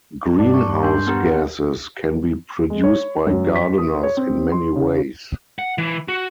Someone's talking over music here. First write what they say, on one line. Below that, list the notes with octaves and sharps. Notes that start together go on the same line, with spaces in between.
Greenhouse gases can be produced by gardeners in many ways.
G2 D4 D5
C#6
D4 C6 G6
B3 G4 A#4 F#5 G#5
G#3
C#5
F#2
B6
D#6
C#5
C4
C6
C#3
F#5
E3
F#4